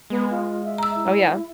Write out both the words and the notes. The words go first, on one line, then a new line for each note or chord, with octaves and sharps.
Oh, yeah.
G#3 B3
F4
E5
A#5 E6
E4